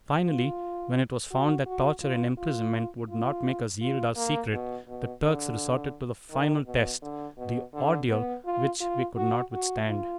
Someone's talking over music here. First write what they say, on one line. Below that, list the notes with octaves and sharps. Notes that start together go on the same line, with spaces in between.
Finally, when it was found that torture and imprisonment would not make us yield our secret, the Turks resorted to the final test--the ordeal which we could not withstand.
F4
F#4
F#4
F4
F4
F4
F4
A#3
B2
B2
D3
D#3
B2
D3
B2
D3
B3
F4
F4
F#4
F#4
F4